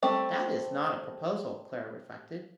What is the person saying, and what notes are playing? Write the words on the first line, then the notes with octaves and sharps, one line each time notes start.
"That is not a proposal," Clara reflected.
G3 A3 C4